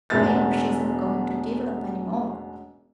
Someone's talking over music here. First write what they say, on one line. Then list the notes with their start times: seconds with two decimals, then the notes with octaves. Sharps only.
"I hope she isn't going to develop any more!"
0.10 E1 A1 G#3 B3 E5 A6